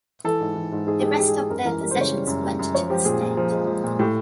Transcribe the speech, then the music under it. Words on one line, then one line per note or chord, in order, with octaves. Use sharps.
The rest of their possessions went to the state.
E3 A4
G#2
E3
G#2
G#2 G#4
G4
G#3 G#4
G#3 G4
G#4
G#3
F#2 A#4
E3 A#4
G3 A#4
C5
C#3 C#5
G3
F#2
G3
F#2
F3 C#5
F3 G4
A#2 G#4
A#2
F3
G#3
F3
A#2
A2 G4